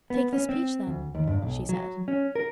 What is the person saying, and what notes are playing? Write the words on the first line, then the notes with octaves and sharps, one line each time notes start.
"Take this peach, then," she said.
B3
C#4
C4
D2
D#2
G2
B1
F#3
C#4
A#4